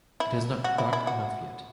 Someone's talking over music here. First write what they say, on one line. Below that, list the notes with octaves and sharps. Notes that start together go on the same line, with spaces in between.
It is not dark enough yet.
E4
F#4
E4
E4
F#4